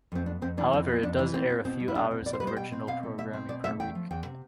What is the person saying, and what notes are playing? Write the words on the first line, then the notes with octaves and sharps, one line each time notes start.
However, it does air a few hours of original programming per week.
F2 C4
B3 D4
F2 C4
E3 D4
F2 C4
B3
F2 D4
E3 D4
B2 C4
C4
B2 C4
G3
E4
B2 D4
C4
B2 D5
C5
G3 B4
C5
B2 G5
C4
B2 F5
A3
B2 E5
C4
B2 D5
A3 E5
E2 G5
F3
E2 G5
C3